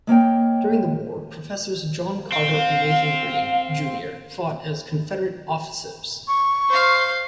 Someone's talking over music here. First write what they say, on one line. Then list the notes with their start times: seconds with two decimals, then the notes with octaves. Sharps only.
During the war, professors John Carter and Nathan Green, Junior fought as Confederate officers.
0.07 G#3 A#3 C#5 G5
2.32 C4 F5
6.27 C#6
6.69 C5 F5